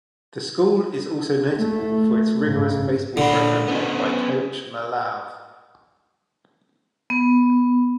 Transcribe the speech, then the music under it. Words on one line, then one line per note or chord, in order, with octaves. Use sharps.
The school is also notable for its rigorous baseball program led by Coach Malave.
A3
G#2 C#3
A#2 D3 B5
B3 C#4
B3